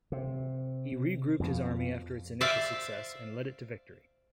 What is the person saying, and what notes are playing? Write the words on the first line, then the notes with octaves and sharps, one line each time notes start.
He regrouped his army after its initial success, and led it to victory.
C3
F2 B2 F3
C5 D5 E5 F5